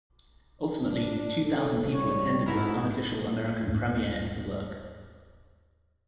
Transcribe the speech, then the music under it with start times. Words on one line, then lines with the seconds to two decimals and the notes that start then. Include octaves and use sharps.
Ultimately, two thousand people attended this unofficial American premiere of the work.
0.84 D4
1.44 A4
1.93 G3 C#5
2.46 G#2 B2 F3 A3 E4 A#4 B4
3.67 D#2 G#2 C#4